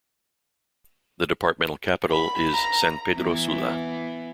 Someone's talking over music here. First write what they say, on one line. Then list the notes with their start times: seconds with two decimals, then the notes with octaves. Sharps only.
The departmental capital is San Pedro Sula.
2.11 B5
2.53 A#5
3.15 E3 B3